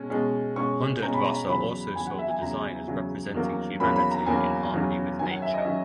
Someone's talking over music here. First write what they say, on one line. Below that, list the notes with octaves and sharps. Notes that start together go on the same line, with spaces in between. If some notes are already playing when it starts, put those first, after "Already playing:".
Hundertwasser also saw the design as representing humanity in harmony with nature.
Already playing: B2 G#3 C#4
B2 G#3 C#4
B2 G#3 C#4 C#6
B2 G#3 C#4 A#5
B5
A#5
E2 C#3 F#3 B5
E2 C#3 F#3 G#5
F#5
E5
G#5
E2 C#3 F#3 A#5
E2 C#3 F#3
E2 D#3 F#3 A#3 C#4
E2 D#3 F#3 A#3 C#4 B5
B5
A#5
E2 D#3 F#3 A#3 C#4 G#5
E2 D#3 F#3 A#3 C#4
F#2 D#3 F#3 C#4 G#5
F#5
E5
D#5
D#3 F#3 C#4 E5